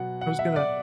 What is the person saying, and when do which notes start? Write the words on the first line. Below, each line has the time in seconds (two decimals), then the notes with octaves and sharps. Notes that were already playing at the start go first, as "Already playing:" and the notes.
I was gonna
Already playing: B2 F#3 B3 F#5
0.21 F#5
0.39 E5
0.56 D5